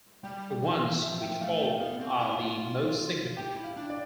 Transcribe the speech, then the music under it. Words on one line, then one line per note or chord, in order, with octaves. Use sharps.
The ones which follow are the most significant.
G3 G5
G5
E3
E3
F3 E5
G5
A3 F5
G5
B3 F5
C4
E4
F4
F5
G4 G5
E4
F5
D4
D5